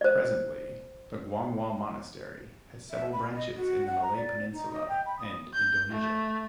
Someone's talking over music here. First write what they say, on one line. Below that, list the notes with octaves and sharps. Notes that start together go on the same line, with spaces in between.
Presently, the Guanghua Monastery has seven branches in the Malay Peninsula and Indonesia.
C5 D5
E5
B5
D#5
F#4
F#5
A#5
D5
D#4
D#5
G5
B5
D#6
G6
A3